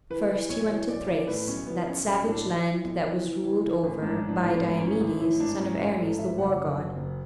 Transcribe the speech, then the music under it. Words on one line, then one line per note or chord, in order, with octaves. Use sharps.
First he went to Thrace, that savage land that was ruled over by Diomedes, son of Ares, the war god.
E3 B4
E3
B1 C#5
E3
B1 D5
E3 D5
A2 B4
B1 C#4
E3 B3
B1 C#4
B1 C#4
A2 D4
E3 E4
E3
B1
E3
E3
E3
E3
A1
G#2 D4
E3
D4
A1
B3
G#2
E3 C#4
A1 E4
E3 E4
G#2 D4
G#2 C#4
A1 C#4
G#2 A4
A1 E5
F#1 F#5
F#2
F#1
F#1